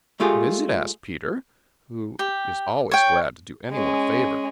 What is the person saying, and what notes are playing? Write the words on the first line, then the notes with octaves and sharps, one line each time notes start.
"What is it?" asked Peter, who is always glad to do any one a favor.
G#3 A3 F4 G4 G#4
G4
C#5 G5
G#3 C#4